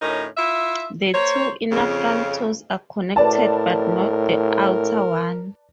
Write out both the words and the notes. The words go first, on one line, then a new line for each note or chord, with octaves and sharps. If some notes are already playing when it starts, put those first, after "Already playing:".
The two inner front toes are connected, but not the outer one.
D2 A2 C#4 D#4 A#4
E4 F4 E5
A#3 C5 C#5
F2 C#3
A2 A#4 B4 D5 A5